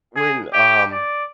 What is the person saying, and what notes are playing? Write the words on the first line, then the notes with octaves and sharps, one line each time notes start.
when um,
G#4
G4
D5